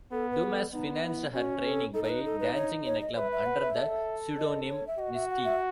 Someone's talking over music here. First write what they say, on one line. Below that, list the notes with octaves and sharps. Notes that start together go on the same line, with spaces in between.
Dumas financed her training by dancing in a club under the pseudonym Misty.
B3 A4
B4
G#4
A4
B3 D#4
D#4
E4
C#4 F#4
A4
D#4 A4
A4
B4
A4
B4
C#5
C#5
D#5
B4 E5
E5
F#5
E5
A4
D#5
C#5
E5
F#4 D#5
E5
F#5
E5